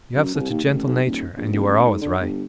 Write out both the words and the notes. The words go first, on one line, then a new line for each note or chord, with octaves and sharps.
You have such a gentle nature, and you are always right.'
F#2
C2
D#2
A1
B1
D#1
A#1
F#1
A1
G#2
D3
G1